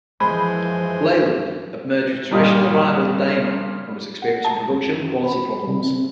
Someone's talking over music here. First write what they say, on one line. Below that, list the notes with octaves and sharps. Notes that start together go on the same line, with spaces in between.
Leyland had merged with traditional rival Daimler and was experiencing production and quality problems.
F#2 E3 F3 G#3 C5 G#5 B5
G2 A#2 G3 D#5 D#6
F#5
A5
F#2
B5
C2
C3